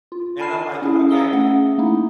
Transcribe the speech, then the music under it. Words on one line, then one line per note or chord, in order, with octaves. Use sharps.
and I'm like, "Okay,
F4
G#5 A5 B5 F6 C7 E7
C#4 E4 G#4
F5 A#5 D#6 E6 G7
A3 C#4 G#4 F#5
A3 A#3 D#4 E4